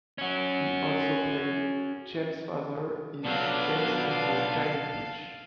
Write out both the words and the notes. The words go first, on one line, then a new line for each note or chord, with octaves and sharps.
He also played James' father in "James and the Giant Peach".
C#4 F#4
B2 F3 F#3 B3 D4 A4 F5